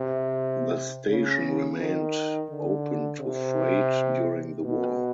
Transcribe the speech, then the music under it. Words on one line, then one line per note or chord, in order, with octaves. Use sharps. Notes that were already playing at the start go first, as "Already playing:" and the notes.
The station remained open to freight during the war.
Already playing: C3
C#3
D#3
D3
C3
B2